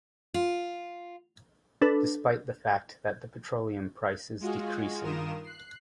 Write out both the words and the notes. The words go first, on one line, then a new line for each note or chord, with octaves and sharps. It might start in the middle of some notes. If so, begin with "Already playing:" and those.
Despite the fact that the petroleum price is decreasing.
F4
D4 A4 B4
G#3 F4 F#4 G#4
G2 D#3 F4 A#4 D#6 E7
F#6 C7